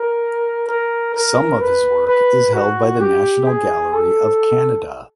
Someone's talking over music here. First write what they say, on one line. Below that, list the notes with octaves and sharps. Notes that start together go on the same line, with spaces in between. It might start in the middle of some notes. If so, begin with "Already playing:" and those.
Some of his work is held by the National Gallery of Canada.
Already playing: A#4
A#4
A#4
B4
B4
F#4
G4
G#4
A4